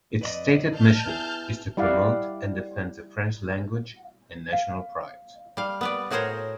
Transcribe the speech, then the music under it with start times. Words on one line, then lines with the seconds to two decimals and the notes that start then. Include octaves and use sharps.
Its stated mission is to "promote and defend the French language and national pride".
0.21 F2 B4 D5 D#5
0.71 A5 F6 G6
1.06 B3 E4 G#4
1.77 G3 E4 D5 F5 F#5
4.53 F5
5.57 G3 F5
5.81 B3 B4 D5
6.11 A2 F#4 G#4 A#4 C5 C#5